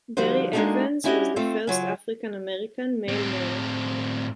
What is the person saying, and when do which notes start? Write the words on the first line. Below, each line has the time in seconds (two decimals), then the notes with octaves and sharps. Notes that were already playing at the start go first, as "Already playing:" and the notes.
Darry Evans was the first African American male mayor.
0.17 D3 F3 G3 D#4 F#4 C5
0.53 G#3 A#3 D4 D#4 F#4 A4
1.04 C#4 D4 E4 F#4 G4 D#5
1.36 A3 C4 F4 A4
1.67 C#3 F#3 F4
3.08 A2 C4